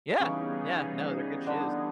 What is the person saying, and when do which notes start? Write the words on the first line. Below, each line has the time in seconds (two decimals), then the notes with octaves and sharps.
Yeah. Yeah. No, they're good shoes.
0.20 C#3 E3 G3 B3 C#4 D#4 G#4
1.47 D3 D4